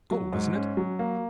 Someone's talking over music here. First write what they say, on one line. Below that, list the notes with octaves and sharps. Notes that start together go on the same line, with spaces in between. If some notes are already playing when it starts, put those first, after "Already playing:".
"Cold, isn't it?"
F#3
G#2
C#4
F#3
A#3